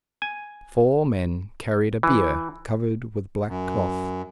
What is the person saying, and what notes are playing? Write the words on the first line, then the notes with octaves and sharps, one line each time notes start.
Four men carried a bier, covered with black cloth.
G#5
E3
F#2